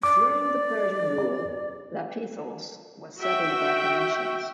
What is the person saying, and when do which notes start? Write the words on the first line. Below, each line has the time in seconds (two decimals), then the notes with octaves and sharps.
During the Persian rule, Lapithos was settled by Phoenicians.
0.03 D5 D6
3.20 F#4 E5 G5